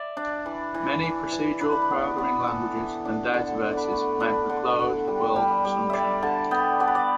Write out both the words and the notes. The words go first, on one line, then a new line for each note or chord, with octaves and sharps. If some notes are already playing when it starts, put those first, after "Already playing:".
Many procedural programming languages and databases make the closed-world assumption.
Already playing: D5 E5
D4
E3
E3
E3
E3
D4 B4
D5
B4
B3
B3
E3 A4
E3
D4
D3 A4
D4
B4 D5
A3
D4 B4
D3
D3
G3
G3
G3
G3 D5 E5
D3 A5
B3 G5
B3 D5
B4
D5